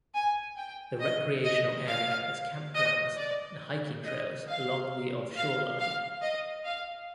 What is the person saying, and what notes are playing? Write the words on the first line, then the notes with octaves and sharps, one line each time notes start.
The recreational area has campgrounds and hiking trails along the of shoreline.
G#5
G5
D#5
D#5
F5
D#5
D5
D#5
F5
F5
F5
D#5
F5